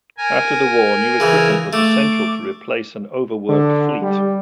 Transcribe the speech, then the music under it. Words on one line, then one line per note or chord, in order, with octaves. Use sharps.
After the war, new equipment was essential to replace an over-worked fleet.
A#4 G#5
C#3 E3
A3 D6
D3
G3